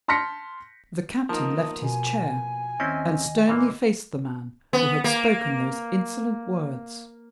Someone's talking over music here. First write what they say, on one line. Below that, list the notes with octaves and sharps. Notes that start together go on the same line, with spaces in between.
The Captain left his chair, and sternly faced the man who had spoken those insolent words.
A5 C6 F6 A#6 B6 C#7
F3 A#3 B3 D#4 A#4 A5
B2 G#5
D#2 C4 C#4 E4 D#5
A#2 E3 A#3
B3
A#3